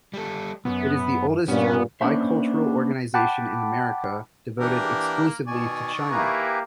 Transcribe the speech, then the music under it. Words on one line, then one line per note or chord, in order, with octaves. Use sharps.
It is the oldest bicultural organization in America devoted exclusively to China.
G3 A4
B1 F#2 B3
G2 A#2 B3 C#4
A#3 B3 C#4 D4 C5 E5
F#5 G5 A5 B5 D6
E3 A#3 D4 G4 A#4
B2 D#3 D5 G#5 C#6
A#3 E4 G4 B4 G#5 A#5